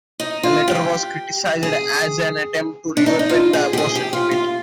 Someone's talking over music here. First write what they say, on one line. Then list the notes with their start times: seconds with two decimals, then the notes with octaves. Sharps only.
The letter was criticized as an attempt to reopen the abortion debate.
0.20 D#4
0.43 F4
0.68 G4
1.63 G#4
2.97 D4
3.06 D#4
3.19 D#4
3.29 F4
3.53 G#4
3.73 G4
3.78 G#4
3.95 G4
4.13 F4
4.31 F4